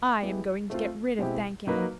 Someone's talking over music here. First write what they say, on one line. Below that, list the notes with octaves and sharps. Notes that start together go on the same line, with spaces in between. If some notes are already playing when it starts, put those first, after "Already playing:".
'I am going to get rid of Thakane.'
G#3 B3 E4 G4
A3 C4 F4
B2 G#3 C4 E4 G4
F#3 A#3 D#4 F#4 B4